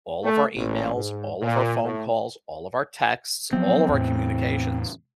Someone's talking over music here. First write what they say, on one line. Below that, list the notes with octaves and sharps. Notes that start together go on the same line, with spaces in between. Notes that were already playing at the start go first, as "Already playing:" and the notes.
all of our emails, all of our phone calls, all of our texts, all of our communications,
A3
A1
G#2
A#2
A2
F3 F#3 B3 C4
E2 A2